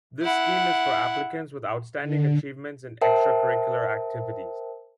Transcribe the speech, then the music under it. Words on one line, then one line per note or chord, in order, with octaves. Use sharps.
This scheme is for applicants with outstanding achievements in extracurricular activities.
E4 F#5
D3
A#4 C5 E5 G5 A5